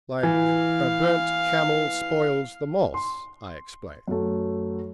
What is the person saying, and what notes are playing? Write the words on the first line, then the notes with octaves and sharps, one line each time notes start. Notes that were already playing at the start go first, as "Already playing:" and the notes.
"Like 'A burnt camel spoils the moss,'" I explained.
E3 F5
C6
F#2 A3